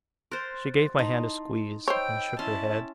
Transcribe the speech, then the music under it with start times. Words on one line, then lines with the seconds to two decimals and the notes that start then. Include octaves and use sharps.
She gave my hand a squeeze, and shook her head.
0.32 A#4 C5 C6 F#6 A6
0.99 D#4 E4 A5 C6
1.88 C5 C#5 D#5 G5 B5 E6
2.39 C#4 E4 A5 C6